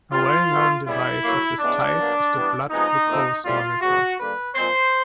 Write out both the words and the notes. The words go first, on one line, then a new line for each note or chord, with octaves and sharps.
A well-known device of this type is the blood glucose monitor.
E3 G3 B3 F4
B2 F#3 A3
C#3 E3 G3 B3 E4
A2 F#3 A#3
C#3 E3 G#3 B3 D4
B2 F#3 A#3
E3 G3 B3
C3 F3 G#3 B3 D#4
A#2 F3 A3 C4
A2 E3 G3 C4 F4
C#3 F#3 B3 F#4
D3 G3 A#3 B4
A#2 F3 G#3 C4 C5